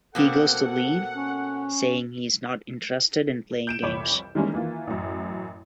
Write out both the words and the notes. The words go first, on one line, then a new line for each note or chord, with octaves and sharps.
He goes to leave, saying he is not interested in playing games.
B2 A#3 C4 A4 F#5
C#4
G6 D7 E7
C2 F2 E3 C#5 B5 D6
D#3 E3 G3 G#3 A#3 C#4
D#3 E3 A#3 F4
A1 F#2